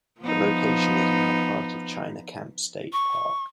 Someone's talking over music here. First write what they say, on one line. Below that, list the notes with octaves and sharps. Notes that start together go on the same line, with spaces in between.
The location is now part of China Camp State Park.
F3 B3 D#4
C#6